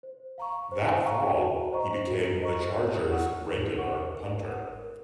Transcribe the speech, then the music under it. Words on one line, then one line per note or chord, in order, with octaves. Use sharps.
That fall, he became the Chargers' regular punter.
C5
F5 A#5 C#6
C5
F5 A#5 C#6
F#4
C5 D#5 A#5 C#6
F#4
C5 D#5 A#5 C#6
A#4
C#5 F#5 C#6
A#4
C#5 F#5 C#6
A#4
C#5 F#5
A#4